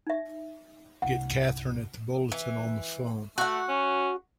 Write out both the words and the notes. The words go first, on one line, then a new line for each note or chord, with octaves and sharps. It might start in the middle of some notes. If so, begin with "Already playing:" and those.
Get Katherine at the Bulletin on the phone!
D#4 E5
C2 G2 F#5
E3
A3 F#4 F#5
C#4